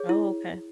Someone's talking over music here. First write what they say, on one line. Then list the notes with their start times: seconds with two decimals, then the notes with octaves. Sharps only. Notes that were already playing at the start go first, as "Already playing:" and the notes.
Oh, okay.
Already playing: G#4 C#5
0.09 E4